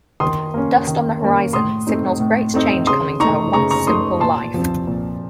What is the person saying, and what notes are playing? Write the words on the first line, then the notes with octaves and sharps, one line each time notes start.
Dust on the horizon signals great change coming to her once-simple life.
D#3 C6 D#6
A#3 C#4
D#3
A#3 C#4
A2 C6 D#6
A3 C4 D#4
A2
A3 C4 D#4
C#3 C6 D#6
A3 D#4 A#5 C#6
C#3 A#5 C#6
A#5 C#6
A3 D#4 C6 D#6
A#2 A5 C6
F3 C4
A#2